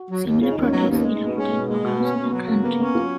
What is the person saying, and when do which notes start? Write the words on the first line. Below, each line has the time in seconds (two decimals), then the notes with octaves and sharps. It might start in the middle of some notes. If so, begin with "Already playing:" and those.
Similar protests erupted across the country.
Already playing: F#4
0.09 F#3
0.25 D#2
0.41 C#3 F4
0.51 D#4
0.57 D#2
0.62 C#4
0.73 F#3 B3
0.83 A#3
0.88 D#2
0.94 A#3
1.04 G#3 B3
1.15 D#4
1.21 B2 B3
1.36 G#3 C#4
1.52 B2
1.68 G#3 A#3
1.84 B2
2.00 B3 C#4
2.16 B2 B3
2.31 F#3 B3
2.47 C#3 A#3
2.63 A#3 B3
2.79 B3 C#4
2.95 F#3 F4